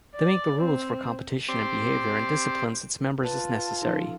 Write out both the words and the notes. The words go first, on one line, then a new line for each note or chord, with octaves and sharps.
They make the rules for competition and behavior and disciplines its members as necessary.
D5
C4
C4 G4 C5 D5
F4 B4 D5 A5
F3 C#4 D#4 A4